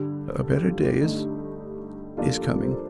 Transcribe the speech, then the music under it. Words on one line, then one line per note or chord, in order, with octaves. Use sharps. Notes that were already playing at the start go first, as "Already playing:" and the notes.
A better day is--is coming.
Already playing: G2 D3 G3 G4
A4
G4
F4
G4
G2 D3 A3 D#4
G2 F3 A#3 D4 F4 A4
F4 A4
G4 A#4
A4 C5